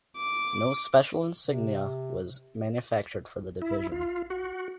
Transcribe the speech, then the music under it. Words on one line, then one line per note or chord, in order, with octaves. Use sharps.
No special insignia was manufactured for the division.
D6
C3
E4
F4
F#4